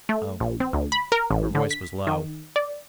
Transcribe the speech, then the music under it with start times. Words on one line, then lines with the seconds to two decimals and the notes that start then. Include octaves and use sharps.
"Oh." Her voice was low.
0.09 A3
0.40 A#1
0.60 C4
0.73 D2
0.92 B5
1.12 A#4
1.31 A1
1.55 D3
1.71 B6
2.07 D#3
2.56 D5